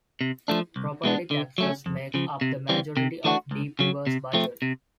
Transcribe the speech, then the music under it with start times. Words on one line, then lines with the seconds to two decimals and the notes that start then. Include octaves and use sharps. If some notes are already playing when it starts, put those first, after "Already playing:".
Property taxes make up the majority of Deep River's budget.
0.21 C3
0.48 F3 A3 D4
0.76 C2
1.04 B2 G#3 B3 D4
1.31 D3
1.58 F#3 A3 C#4
1.86 F2
2.14 C#3 F3
2.41 C3
2.69 E3 G3 C4
2.97 C3
3.24 E3 A3 D4 F#4
3.51 C#2
3.79 C#3 F#3
4.07 C3
4.33 F3 A3 C4
4.62 C3